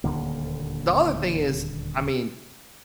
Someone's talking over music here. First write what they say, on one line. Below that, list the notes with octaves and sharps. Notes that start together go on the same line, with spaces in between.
the other thing is, I mean
D#1 D2 D3 A#3